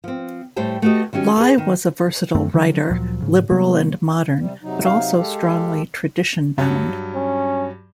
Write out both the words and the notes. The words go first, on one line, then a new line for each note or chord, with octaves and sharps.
Lie was a versatile writer, liberal and modern, but also strongly tradition bound.
F3 C4
A2 G3 C5 G5 A5
A3 B3 F#4 G4 D#5
D#3 F#3 C#4 G4
B3 G#4
D#3
F#2 A3 C4
D3 D#3 F3 F#3
D2 A#2 F3 F#3
G#2 C#3
C3 G3 A#3 B3
C3 G3
C3 F#3 D#4
F5
G#3 G4 A4
G2 F#3
C#4